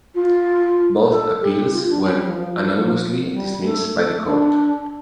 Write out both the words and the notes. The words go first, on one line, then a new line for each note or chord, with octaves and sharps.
Both appeals were unanimously dismissed by the court.
F4
A4
G4
F4
D4
C#4
G3
F3
F3
F3
G3
A3
A3
D4